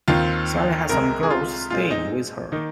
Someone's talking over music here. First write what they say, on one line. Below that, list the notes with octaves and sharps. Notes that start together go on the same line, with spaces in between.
Sallie has some girls staying with her.
D#2 D#3 C4 F4
C2 C3 G#3 A#4
G#4
F4
A#2 G#3 C4 F4
D#4
D#3 A#3 D#4